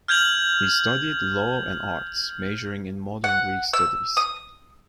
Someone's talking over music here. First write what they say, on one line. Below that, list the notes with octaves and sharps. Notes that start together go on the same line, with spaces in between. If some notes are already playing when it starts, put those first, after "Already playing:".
He studied law and arts, majoring in Modern Greek studies.
F6 G6 G#6 F7 F#7
F#5
E6
D#6